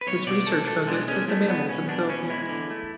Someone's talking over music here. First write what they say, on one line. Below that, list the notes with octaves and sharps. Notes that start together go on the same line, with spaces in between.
His research focus is the mammals of the Philippines.
B4
B1 C#5
B2 D5
B2 A4
B2 A4
G#3 D4
G#3 C#4
B1 A3
B2 B3
B1 C#4
B2 D4
B2 C#4
G#3 E4
D3
A3